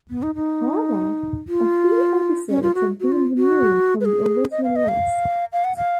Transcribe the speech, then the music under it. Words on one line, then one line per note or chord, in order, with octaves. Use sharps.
However, a few episodes have been removed from the original list.
B3
D#4
D#4
F4
C#4
F4
F#4
F#4
F4
F#4
B4
G#4
D#5
F5
D#5
F5
F5
F#5
F5